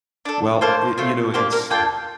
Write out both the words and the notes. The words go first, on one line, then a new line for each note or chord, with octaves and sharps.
well, it you know, it's
D4 A4
A#3 F4 A4 C5
A3 C4 F4
A#3 D4 G4 C5
A#4
A#3 D4 F4 A4 G5